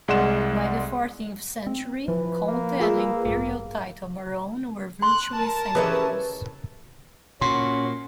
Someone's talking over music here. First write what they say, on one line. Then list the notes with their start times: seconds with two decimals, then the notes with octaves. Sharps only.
By the fourteenth century, "conte" and the Imperial title "barone" were virtually synonymous.
0.08 C2 G#3 D5 F#5 C6 E7
1.67 C4
2.08 E3 F3 B4
2.48 A#3
2.80 F4 G#4 E6
3.26 A1 G2 A#3
5.02 C6 F#6
5.34 A#4 A5
5.75 E3 C#4 G4 G#4 B4 E5
7.41 A#2 C#4 F#4 C6